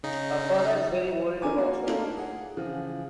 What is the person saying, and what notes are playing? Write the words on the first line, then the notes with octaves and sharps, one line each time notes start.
Her father is very worried about her.
C#3 D#4
D#3 A#4 G#5 D6
A#3 F#4 D5
A3 A#3 D4 D#4 F4 A4
A#3
G#4 F#5
C#3 E3 F3